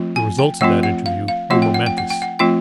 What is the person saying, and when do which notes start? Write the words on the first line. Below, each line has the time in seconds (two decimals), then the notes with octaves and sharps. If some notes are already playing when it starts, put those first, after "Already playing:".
The results of that interview were momentous.
Already playing: F3 A3 C4 F4
0.16 G#5
0.39 G5
0.61 F3 A3 C4 F4 F#5
0.83 F#5
1.06 F5
1.28 F5
1.50 F3 A3 C4 F4 F#5
1.62 G5
1.74 F#5
1.87 G5
1.98 F#5
2.10 G5
2.22 F#5
2.39 F3 A3 C4 F4 G5